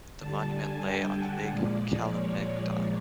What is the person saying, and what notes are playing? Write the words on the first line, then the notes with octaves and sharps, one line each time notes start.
The monument lay on the Big Kalemegdan.
D3 G3 A5
G#5
G5
F#5
A#2 F3 G#3 D5
C#5